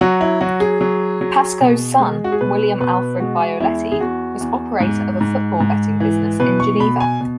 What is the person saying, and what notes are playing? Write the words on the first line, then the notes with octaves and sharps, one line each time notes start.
Pascoe's son, William Alfred Bioletti, was operator of a football betting business in Geneva.
F#3 F#4
E4
F#3 F#4
G#4
F#3
F#3
B2
G#3
F#4
G#4
B2 B4
B2 B4
G#3 F#4
E2 E4
G#4
E2 F#4
E2
G#2
G#2
G#2
E3
B2 B4
C#6
B2 B5
G#5
B2